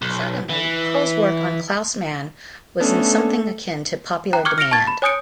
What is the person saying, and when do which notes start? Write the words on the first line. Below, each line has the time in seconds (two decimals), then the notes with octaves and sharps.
Suddenly, Kroll's work on Klaus Mann was in something akin to popular demand.
0.02 B1
0.49 E3
2.80 A3 B3 C#4 D4 A4
4.33 G5 A#5 F#6
4.45 C#6 D6 F6 F#6 G#6 C#7
4.58 F6 A#6 C#7 D7 F7 G7
4.71 A5 C#6 G#6 A6
4.87 B5
5.02 C#5 G#5 D#6 G6 C#7 D7